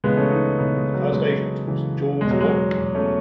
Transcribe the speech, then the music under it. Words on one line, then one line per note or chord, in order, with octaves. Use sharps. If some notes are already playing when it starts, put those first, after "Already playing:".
The first agent was George Wallen.
C#2 C#3 E3 G#3 B3
A3 C#4
B3 D#4
C#2 C#3 E3 B3 D#4
G#3
F#3
C#2 C#3 E3 G#3
C#2 C#3 E3
E2 B2 G#3
F#3
G#3
E2 B2
A3 C#4